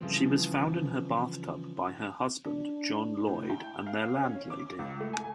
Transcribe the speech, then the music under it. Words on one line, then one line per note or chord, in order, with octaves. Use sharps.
She was found in her bathtub by her husband, John Lloyd, and their landlady.
C#3 E3 F3 G3 C4
D4
A2
G5
F5
C#4
D6
C#2
A3
G#5